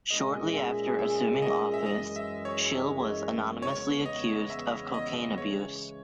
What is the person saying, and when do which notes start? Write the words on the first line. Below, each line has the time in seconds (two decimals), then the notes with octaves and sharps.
Shortly after assuming office, Schill was anonymously accused of cocaine abuse.
0.10 A#2 G#3 C#4 G#4 D#5
0.55 E5
0.99 E5
1.42 D#5
1.74 E5
1.86 F#2 E3 G#3 D#5
2.16 E5
2.45 C#5
3.62 E2 C#3 E3 G#3 B3 C#5
4.06 D#5
4.50 E5
4.94 D#5
5.38 C#3 E3 G#3 C#4 E4 C#5